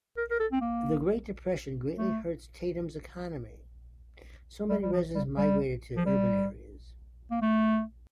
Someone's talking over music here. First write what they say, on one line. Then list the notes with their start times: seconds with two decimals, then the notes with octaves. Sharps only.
The Great Depression greatly hurt Tatums' economy, so many residents migrated to urban areas.
0.17 A#4
0.30 A#4
0.40 A4
0.52 C4
0.61 A#3
1.98 A3
4.70 G3
4.82 G3
4.93 F3
5.15 G3
5.37 G3
5.96 F3
6.06 G3
7.31 A#3
7.42 A3